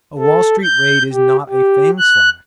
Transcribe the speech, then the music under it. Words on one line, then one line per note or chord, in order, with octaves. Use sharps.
A Wall Street raid is not a fang slash.
A4
G6
G4
G4
F#6